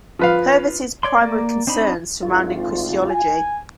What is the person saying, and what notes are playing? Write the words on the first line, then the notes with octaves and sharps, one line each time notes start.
Purves' primary concerns surround Christology.
F3 B4 F5
C#5 D5 C6
A#3 D5
C4 D4 D#4 B5
G#1 D2 F4
G#5